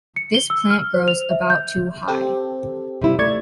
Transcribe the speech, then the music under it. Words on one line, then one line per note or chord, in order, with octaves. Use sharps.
This plant grows about to high.
C#7
G7
E6
F6
C5
F7
E5
G6
C4 G4 A4
C3 G3 E4
A3 D5 C#6 G#6